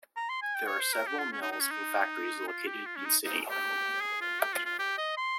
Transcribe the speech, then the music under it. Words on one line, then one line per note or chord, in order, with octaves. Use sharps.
There are several mills and factories located in city.
A#5
C6
G#5
G5
C#5
C5
A#4
G4
F4
C#4
D#4
D#4
C#4
D#4
F4
G4
F4
C#4
D#4
D#4
G4
G#4
F4
G4
F4
F4
G4
D#5
C6